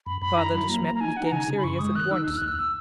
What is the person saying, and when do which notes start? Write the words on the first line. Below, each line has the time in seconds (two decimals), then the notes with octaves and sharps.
Father De Smet became serious at once.
0.06 F#2 B5
0.22 F#2 B5
0.37 E4 A#5
0.53 F#3 B5
0.69 A#3 A#5
0.85 A#3 A#5
0.95 A#5
1.01 D#4 G#5
1.16 D#4 F#5
1.25 A#5
1.32 C#3 G#5
1.48 C#3
1.58 B5
1.64 F#2 C#6
1.79 G#3 D#6
1.95 D#3 F#6
2.11 D#4 E6
2.27 D#2 E6
2.37 D#2 F#6
2.48 E6
2.58 E6